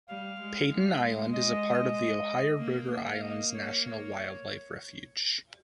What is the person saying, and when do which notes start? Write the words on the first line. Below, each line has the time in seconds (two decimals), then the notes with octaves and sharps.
Paden Island is a part of the Ohio River Islands National Wildlife Refuge.
0.09 G3 F5
0.40 G#3
0.71 G#3
1.33 D#5
2.58 A#3
2.91 A#3
3.10 F5
3.22 A#3 D#5
3.54 C#5
3.85 C#5